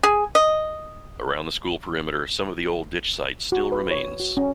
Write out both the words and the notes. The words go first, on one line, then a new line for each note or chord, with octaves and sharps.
Around the school perimeter some of the old ditch site still remains.
G#4
D#5
F#4
B4
C#5
F#4
C#4